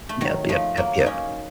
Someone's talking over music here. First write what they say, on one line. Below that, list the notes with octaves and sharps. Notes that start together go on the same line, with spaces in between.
Yep, yep, yep, yep.
A3
D#3 F#3
F3 A3
F#3 A#3
D#4
A#3 C#4